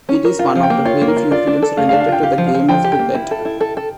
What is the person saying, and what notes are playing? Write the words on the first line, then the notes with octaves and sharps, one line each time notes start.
It is one of the very few films related to the game of cricket.
C#4
A#4
F4 F5
F3 F5
G5
A#3
F4 C#5
A#3
A#4
F4
F4 D5
D4
A4
A3 F5
F5
D4
F5
F4 G5
G4 F5
F3
F5
F3
F3 G5
G4
G5
A#3
E4
A4
E4
A4
A4